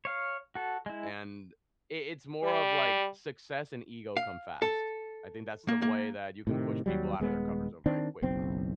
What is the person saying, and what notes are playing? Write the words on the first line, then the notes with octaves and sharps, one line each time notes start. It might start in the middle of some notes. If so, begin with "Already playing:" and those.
and it it's more of, like, success and ego come fast. I think that's the way that you can push people outta their comfort zone very quickly,
C#5 F5
F#4 A4
G#3 E4
G3
F5
A4
A#3
A#3
A2 C3 D#3
D#2 F#3 G3
D#1 G#3 B3
D#3 C4 D4
F#1 B1 C4